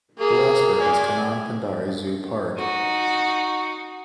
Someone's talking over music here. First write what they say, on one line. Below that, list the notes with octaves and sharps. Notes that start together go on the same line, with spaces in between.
Bilaspur has Kanan Pendari Zoo Park.
A#3 G#4
D5 G#5
D#4 F#4